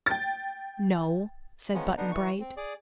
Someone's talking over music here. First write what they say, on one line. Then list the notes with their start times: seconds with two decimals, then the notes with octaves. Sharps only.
"No," said Button-Bright.
0.06 G5 A6
1.74 D#3 F3 G#3 B3 C#4
1.97 D3 B3 D4 D#4
2.12 E3 C#6
2.40 C4
2.57 G#4 D5